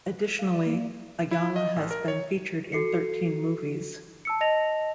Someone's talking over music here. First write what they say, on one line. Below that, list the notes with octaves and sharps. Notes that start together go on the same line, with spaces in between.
Additionally, Ayala has been featured in thirteen movies.
B4
F#6
F5
D5
A#3
E4
D#5
A1
A#4
C#5
F#4 A4 C7 C#7
A5 E6 C#7
D#5 A5 A#6 F7